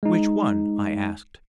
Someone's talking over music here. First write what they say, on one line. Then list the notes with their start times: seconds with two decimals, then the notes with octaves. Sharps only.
"Which one?" I asked.
0.03 G#3 D#4